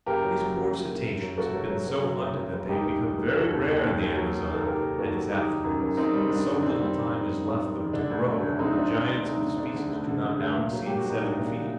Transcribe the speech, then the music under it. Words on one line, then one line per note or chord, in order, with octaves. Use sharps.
These poor cetaceans have been so hunted that they have become very rare in the Amazon and its affluents, and so little time is left them to grow that the giants of the species do not now exceed seven feet.
F#1 G4 A#4
F#3
F#3
F#2
F#3
F#1
F#1
F#3
F#1 F#4 A4
F#3
F#3
F#3
F#3
F#1
F#1
F#1
D#2 D#4 G4
D#2
D#3
F#3
F#3 F#4 A4
D#2
D#2
D#2
D#2
F#3
F#3
D#3 A4
D#2 G4 A#4
D#2
D#2 F#4 A4
F#3
G3 D#4 G4
D#3
F#2
F#2
F#2 C4 D#4
G3
G3 D4
F#2
D#3 C4
G3
D#3
D#3
F#2
D#3
G3
D#3
D3 D4
D2
F#3
D2
D2 C4 D#4
F#3 D4
F#3 C4
D2 D4
D2 C4 D#4
D3
D2 D4
D3
D2
D3
D3
D2
A#2
F#3
A#2 G4
F#4
A#2 D#4
C2 D4
A#2